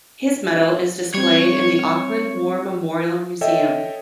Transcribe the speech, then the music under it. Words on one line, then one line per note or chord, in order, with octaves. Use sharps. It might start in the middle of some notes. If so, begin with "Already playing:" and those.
His Medal is displayed in the Auckland War Memorial Museum.
G3 C4 C#5
A4 C#5 D#5 E5 G5